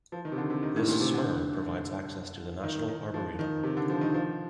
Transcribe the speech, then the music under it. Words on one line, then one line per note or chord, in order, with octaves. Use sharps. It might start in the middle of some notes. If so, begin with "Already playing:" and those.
This spur provides access to the National Arboretum.
F3
D#3
C3
D3
C3
D#3
A2
A#2
C3
D3
D#3
D#3
F3
D#3
C3
D3
F3
D#3
F3